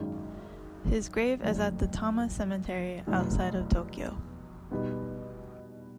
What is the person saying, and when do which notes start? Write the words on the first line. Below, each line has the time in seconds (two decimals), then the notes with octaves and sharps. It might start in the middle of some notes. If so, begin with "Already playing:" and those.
His grave is at the Tama Cemetery, outside of Tokyo.
Already playing: G#1 F#2 D#3 G#3 C#4
1.42 F#1 F2 D3 F#3 A3
3.07 F1 E2 B2 F#3
4.71 B2 G3 B3 D#4